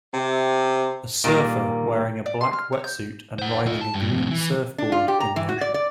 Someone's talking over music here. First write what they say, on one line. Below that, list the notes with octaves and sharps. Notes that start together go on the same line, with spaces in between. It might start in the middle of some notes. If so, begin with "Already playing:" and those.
A surfer wearing a black wetsuit and riding a green surfboard in the ocean.
C3
A#2 D#3 G3 A#3
D5
C6
F6
C#5
G6
C5 F#5
F4 D#5
A5
G2
F2 A2
E3
D4
F4
G4
A#5
E3
F#4
D5
D5